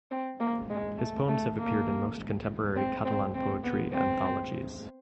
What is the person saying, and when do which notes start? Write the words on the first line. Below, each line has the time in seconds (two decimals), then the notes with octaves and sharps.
His poems have appeared in most contemporary Catalan poetry anthologies.
0.11 C4
0.40 A#3
0.70 G#3
0.98 A3
1.28 A3
1.58 A#3
2.76 C4
3.05 C4
3.35 C4
3.64 B3
3.93 C4